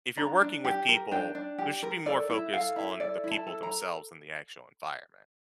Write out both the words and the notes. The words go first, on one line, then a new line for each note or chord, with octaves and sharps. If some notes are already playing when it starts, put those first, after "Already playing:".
if you're working with people, there should be more focus on the people themselves than the actual environment.
D4 A#5
D4
G4
A#4
D4 G5
D4
G4
A#4
A4 D5
E4 E5
A4 F5
E4 E5
A4 D5
E4
A5
A4
A#5